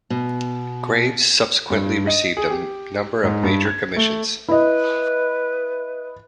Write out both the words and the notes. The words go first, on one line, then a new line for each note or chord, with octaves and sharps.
Graves subsequently received a number of major commissions.
B2
G2
D#5
G#4
G4
G#2
G2
G#6
A3
E4 B4 D#5